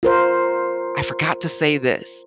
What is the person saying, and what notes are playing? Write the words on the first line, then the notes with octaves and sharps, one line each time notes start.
I forgot to say this'"
F4 A#4 C5